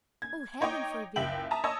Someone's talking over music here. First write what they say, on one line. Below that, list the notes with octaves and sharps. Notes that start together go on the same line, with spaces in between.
Oh, heaven forbid!
G#6
D#4 C#5 D#5 G5 D6
F#1 C#2 E5 G5 F#7
E5 A5 A#5 D#6
C#5 D#5 A5 E6